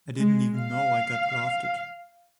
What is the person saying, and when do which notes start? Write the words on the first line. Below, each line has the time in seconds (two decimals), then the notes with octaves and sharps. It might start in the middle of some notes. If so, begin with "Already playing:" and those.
I didn't even know I got drafted.
0.17 G#3
0.58 F5